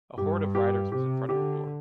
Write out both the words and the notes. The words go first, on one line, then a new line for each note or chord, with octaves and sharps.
A horde of riders was in front of the door.
G2 G4
G4
C3 G4
D3 G4